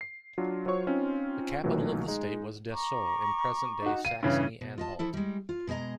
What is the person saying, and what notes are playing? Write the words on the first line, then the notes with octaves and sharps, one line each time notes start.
The capital of the state was Dessau in present-day Saxony-Anhalt.
C7
F#3 D4 F4
F#3 F4 C5 C#5 C#6
C4 C#4 D#4 F4
B1 A#2 D#3 E3 F#3 A3
G#3 D#4
A#5 C#6 D6
D#4 F#4
F5 D#7
G2 C#3 E3 C#4
B2
F4 D#5 A5
F3 E4 A4
G3 G#3
F4
B2 G#3 G#4 D#5 A#5